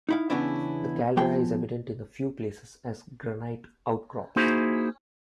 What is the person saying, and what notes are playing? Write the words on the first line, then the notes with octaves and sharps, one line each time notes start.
The caldera is evident in a few places as granite outcrops.
D#4 E4 F5
E2 C#3 B3 C#4 D4 E4
F3 B3 G#4 G5 C6
A#3 D#4 E4 F#4 G#4 C5